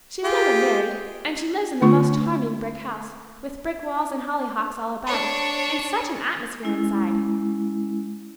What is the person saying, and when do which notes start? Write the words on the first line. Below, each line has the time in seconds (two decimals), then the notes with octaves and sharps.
She's never married, and she lives in the most charming brick house, with brick walls and hollyhocks all about it, and such an atmosphere inside!
0.24 F4 G4 G#4
1.81 D3 A3 D4 F4 C#6
5.07 D4 C#5
6.63 G#3 C#4 E4